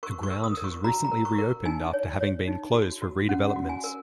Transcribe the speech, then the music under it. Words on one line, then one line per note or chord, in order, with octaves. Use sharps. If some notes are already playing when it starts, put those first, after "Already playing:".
The ground has recently reopened after having been closed for redevelopments.
A#4 C#6
C#6
A#4
D#6
A#4
C#6
F#4 A#5
A#5
A#4
C#6
A#4
D#4 G#5
C#5
C#5
D#4
F#4
F#4
C#4 F#5
F#5
F#4
G#5
A#4